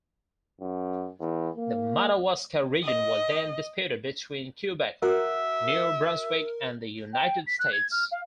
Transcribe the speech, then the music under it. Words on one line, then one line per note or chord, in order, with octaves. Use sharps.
The Madawaska region was then disputed between Quebec, New Brunswick and the United States.
F#2
E2
A#3
D#5
F#4 A#4 E5
G5
B6
F#6
G#6
F6
F5